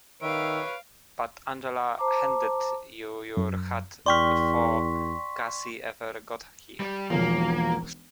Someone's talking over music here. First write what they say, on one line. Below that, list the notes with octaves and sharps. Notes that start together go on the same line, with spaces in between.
But Angela handed you your hat before Gussie ever got here.
D#3 B4 C#5 E5 F5 D7
C5 A5 A#5 D6
F#2
E2 D5 G5 C6 C#6 F6 B6
G3
E1 B1 F3 A#3